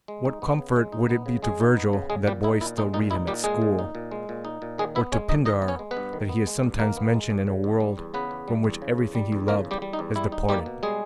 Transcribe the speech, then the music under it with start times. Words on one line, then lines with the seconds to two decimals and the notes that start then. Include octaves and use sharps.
What comfort would it be to Virgil that boys still read him at school, or to Pindar that he is sometimes mentioned in a world from which everything he loved has departed?
0.08 G#3
0.25 D#4
0.42 B3
0.59 C#3
0.76 G#3
0.92 D#4
1.09 B3
1.26 C#3
1.43 G#3 G#4
1.60 D#4
1.77 B3
1.93 C#3
2.10 G#3 G#4
2.26 A#2 G3 G4
2.43 D#4 E4
2.61 A#2 E4
2.77 G#3 D#4
2.94 A#2 D#4
3.11 D#4 E4
3.27 A#2 G3 G4
3.44 G#3 G#4
3.62 A#2
3.79 D#4
3.95 A#2
4.11 G#3
4.29 A#2
4.45 D#4
4.62 A#2
4.78 D#3 G#3 G#4
4.95 B3 E4 E5
5.12 G#3 C#4 C#5
5.28 G2 D#4 D#5
5.45 D#3 D#4 D#5
5.62 B3
5.68 C#4 C#5
5.79 G#3
5.91 B3 B4
5.97 G2
6.13 D#3
6.29 B3
6.47 G#3
6.64 G2
6.79 D#3 A#3 A#4
6.97 B3
7.14 G#3
7.30 G2
7.47 C#3
7.64 E2
7.80 G3
7.98 E2
8.14 C#3 B3 B4
8.31 E2
8.48 G3
8.64 E2
8.82 C#3
8.98 E2
9.15 G3
9.32 E2
9.48 C#3 A#3 A#4
9.65 E2
9.71 G3 G4
9.82 G3
9.93 D#4
9.99 E2
10.16 G3 E4
10.32 D#4
10.49 G3 A#3 G4
10.66 B2
10.83 G3 G#3 G#4